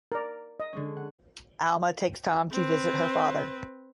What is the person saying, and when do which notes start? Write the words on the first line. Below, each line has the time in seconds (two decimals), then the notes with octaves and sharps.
Alma takes Tom to visit her father.
0.12 A#4 D5
0.60 D#5
0.73 D3 G#3 C#4
0.97 F#5
2.52 C4 B4